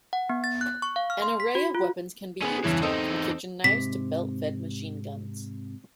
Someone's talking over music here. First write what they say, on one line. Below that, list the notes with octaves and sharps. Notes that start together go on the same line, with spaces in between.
An array of weapons can be used, from kitchen knives to belt-fed machine guns.
F#5
B3
A6
F#6
C#6
F5
F6
C6
B6
F#4
F4
B3 C#4 G#4
E2 G2 C#3 E3
E2 C4 D#4 A4 D#5
G#2 C3 B6